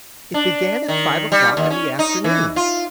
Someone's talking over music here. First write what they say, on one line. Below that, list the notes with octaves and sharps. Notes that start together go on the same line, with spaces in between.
It began at five o'clock in the afternoon.
D4
D#3
G3
D#2
C#4
D#4
E3
F4